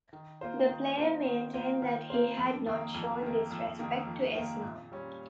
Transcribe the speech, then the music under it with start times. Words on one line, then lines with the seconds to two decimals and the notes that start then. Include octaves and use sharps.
The player maintained that he had not shown disrespect to Islam.
0.13 D#3
0.41 A#3 F4 C5
0.69 D#3
0.97 A#3 F4 C5
1.25 D#3
1.54 A#3 F4 C5
1.82 D#3
2.10 A#3 F4 C5
2.38 F2
2.66 D#3 A#3
2.94 F2
3.23 D#3 A#3
3.51 F2
3.79 D#3 A#3
4.07 F2
4.35 D#3 A#3
4.63 A#2
4.92 G3 C#4